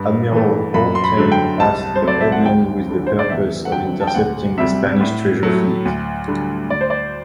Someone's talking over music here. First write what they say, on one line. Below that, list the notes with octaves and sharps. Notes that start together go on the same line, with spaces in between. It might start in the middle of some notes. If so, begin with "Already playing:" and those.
Admiral Haultain passed the headland with the purpose of intercepting the Spanish treasure fleet.
Already playing: G2
E3 A3
F#2 B5
C6
B5
D3 F#3 A3
G5
C2 A5
C5
C3 F#3 A3
D5
E5
F#5
D2 G5
D3 G3
C5
D5
E2 E5
F#5
D3 F#3 G5
A5
G5
D2 F#5
C3 G3 E5
A2
F#3 A3
D2
D3 G3
D2 D5
C5
D5